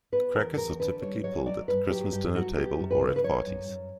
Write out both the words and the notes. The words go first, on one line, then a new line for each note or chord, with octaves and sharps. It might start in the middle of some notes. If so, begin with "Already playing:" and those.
Crackers are typically pulled at the Christmas dinner table or at parties.
B3 B4
E2 A#4
E2 A#4
D3 B4
G3 C#5
F#3 C#5
F#3 D5
G2 B4
F#3 G4
G2 G4
F#3 F#4
B3 G4
F#2
B4
C#3
B4
F#3 C#5
F#2
F#2